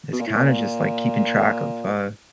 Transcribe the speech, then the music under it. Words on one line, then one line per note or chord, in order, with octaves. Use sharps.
is kinda just, like, keeping track of, uh,
B2
A#2
A2
A#2